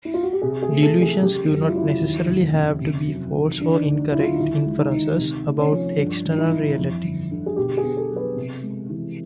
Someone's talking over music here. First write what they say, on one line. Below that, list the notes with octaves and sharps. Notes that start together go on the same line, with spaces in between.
Delusions do not necessarily have to be false or 'incorrect inferences about external reality'.
E4
F4
F#4
G4
C3 G#4
G#4
A3
A4
E3
G#4
C#3 G4
F#2
E4
F4
F#3 E4
D#2
F1
C#3
C3
F#3
D#3
D3 D4
D4
D#4
D2
F#3 E4
F4
D#4
D#2 E4
G#3
D#4
D#3
C3
A3
C#4
F3
G2 D4
G#1
D#4
E4
E3
F2
G1
D3
G#4
B2 G4
G#4
B3
A4
F#3
B4
C3
G#3
E3